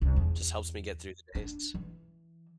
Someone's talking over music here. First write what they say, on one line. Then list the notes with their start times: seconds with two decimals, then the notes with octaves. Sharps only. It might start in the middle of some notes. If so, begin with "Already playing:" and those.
just helps me get through the days.
0.01 C2 D3
0.16 E2
1.35 D4
1.74 E3